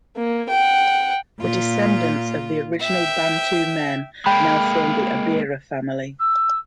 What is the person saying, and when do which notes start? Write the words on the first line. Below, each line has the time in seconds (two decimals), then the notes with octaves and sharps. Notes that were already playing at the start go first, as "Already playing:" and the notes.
The descendants of the original Bantu men now form the Abira family.
0.16 A#3
0.49 F#5 G5
1.39 A#2 F4
2.82 E5 G5
4.26 G#3 A#3 G5 B5
6.19 E6